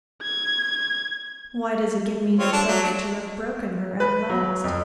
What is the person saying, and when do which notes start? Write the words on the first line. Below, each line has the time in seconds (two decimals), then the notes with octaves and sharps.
Why does it give me no pleasure to have broken her at last?
0.22 G#6
2.39 C4 F4 C#5
2.53 D4 A4
2.68 F#3
2.84 D4
4.00 B4
4.30 F#3
4.64 F2